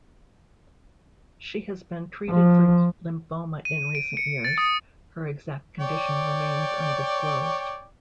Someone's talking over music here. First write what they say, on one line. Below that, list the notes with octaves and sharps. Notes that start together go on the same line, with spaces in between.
She has been treated for lymphoma in recent years; her exact condition remains undisclosed.
F3
D#7
D7
C#7
A6
D#6
C#5 D5 G5